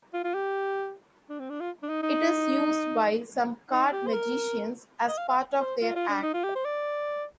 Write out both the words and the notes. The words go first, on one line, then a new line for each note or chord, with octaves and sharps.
It is used by some card magicians as part of their act.
F4
F4
G4
D4
C4
D4
F4
D4
D#4
D#4
D#4
G4
C5
A#4
D#5
F5
F5
C5
F4
F4
D4
D#4
F4
G4
C5
D5